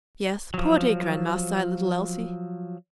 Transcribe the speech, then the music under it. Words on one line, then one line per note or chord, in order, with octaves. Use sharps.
"Yes, poor dear grandma!" sighed little Elsie.
F3 F#3